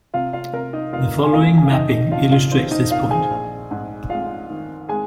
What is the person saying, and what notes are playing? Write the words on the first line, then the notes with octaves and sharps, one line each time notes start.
The following mapping illustrates this point.
C3 F4 F5
F4 F5
C3 A#4
D#4 D#5
F1 F4 F5
G#5
F1 F4 F5
G#5
F5
F2 D#4 D#5
D#4 D#5
F2 F4 F5
F4 F5
D#3 C4 C5
D#4 D#5
D#3 F4 F5
G#4 G#5
A#1
G#2
G#3 F4 F5
D#3
G#3 G#4 G#5